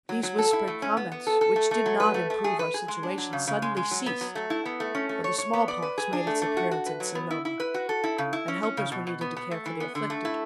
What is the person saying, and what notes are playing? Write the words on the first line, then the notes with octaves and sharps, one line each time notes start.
These whispered comments, which did not improve our situation, suddenly ceased, for the smallpox made its appearance in Sonoma, and helpers were needed to care for the afflicted.
F#3
F#3
A4
E4
A3
C#4
B3
B3
A4
A4
A3
A3
F#3
B4
A3
A3
G#4
B4
G#4
G#3
D4
F#3
C#3
C#3
G#3
G#3
F#3
B3
F#3
A3
E4
B3
A3
C#4
A3
C#5
C#5
B3
D5
B4
G#4
D4
A3
A3
F#4
F#4
B4
F#3
B3
E4
E4
B4
F#4
A4
E4
C#3
E4
C#4
C#4
C#3
B2
B2
B3
B3
A3
E3
B3
D3
A3
E4